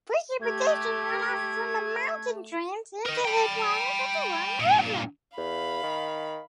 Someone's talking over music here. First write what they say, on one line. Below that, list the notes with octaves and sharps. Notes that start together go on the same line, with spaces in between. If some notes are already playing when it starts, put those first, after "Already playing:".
Precipitation runoff from the mountain drains into headwaters of the Roaring River.
A3 G4 G#6
A#4 D#5
G5 B5
G2 A#2
E2 F5 B5
D#3